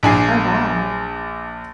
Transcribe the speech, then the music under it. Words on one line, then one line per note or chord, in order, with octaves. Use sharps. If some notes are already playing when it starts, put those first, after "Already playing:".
Oh wow.
A#1 D4 G#5 C7